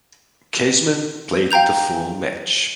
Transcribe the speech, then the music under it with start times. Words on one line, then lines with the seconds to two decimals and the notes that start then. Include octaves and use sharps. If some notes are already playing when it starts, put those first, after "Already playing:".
Casement played the full match.
1.51 F5 G5 A#5 G6 F7